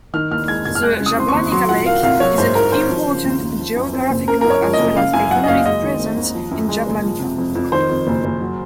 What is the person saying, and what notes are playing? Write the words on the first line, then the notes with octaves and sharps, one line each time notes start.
The Jablanica lake is an important geographical as well as economic presence in Jablanica.
D#3 F6
D#2 F6
G#3 G#6
F1 G#6
F6
G#3 F#6
C#3
D#6
C4 C6
C#6
D#2
F#3 C6
A#2 F#5
A#3 F5
C2 F5
F#3 C#5
G#2 C5
A#3 A#4
G#1 C5
F3
C#3
D#2
D#2
F3
F#2
C4
F#1
C#3 A#4
F#2 A#4
C#5
F3
D#5
F#1
C#3 F5
F#2 G#5
F#3 F#5
D#5
F#1 F5
G#3 D#5
D#3
C4
D#2
F3
F#2
G#3
F#1
F3
C3
F2
F2
D#3 C5
F2
F#1
F#1
F#3